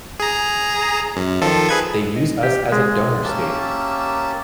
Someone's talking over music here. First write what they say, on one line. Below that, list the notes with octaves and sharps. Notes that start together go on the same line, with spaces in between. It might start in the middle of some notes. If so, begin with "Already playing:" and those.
They use us as a donor state.
G#4 A#5
F#2
D#3 F3 A4
G#4 B4 G#6
D#5
G4
G#3
A#3 C#4 G4 E5 A5 E6